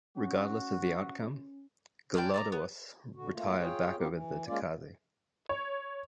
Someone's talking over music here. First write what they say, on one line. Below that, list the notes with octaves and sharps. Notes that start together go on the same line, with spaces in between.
Regardless of the outcome, Gelawdewos retired back over the Takaze.
C#4 F#4
C#4 D4 D5 G5
D5 E5 A#5
B3
D3 F#4
A3 A#3 F4
F4 G#4 C#5 G5
B3 C4 F4 G4 A#4
E3
G#3 A#3 C#4 F4 D5
C#5